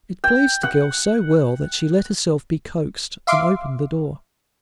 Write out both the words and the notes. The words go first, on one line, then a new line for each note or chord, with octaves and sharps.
It pleased the girl so well that she let herself be coaxed and opened the door.
G5
F#5
E5 F5 C6 D6